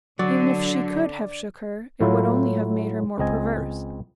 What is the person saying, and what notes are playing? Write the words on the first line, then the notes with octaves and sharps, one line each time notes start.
Even if she could have shook her, it would only have made her more perverse.
D3 F#3 D5
A2 F#3 E4 F4
C#2 C4 D#5 G#5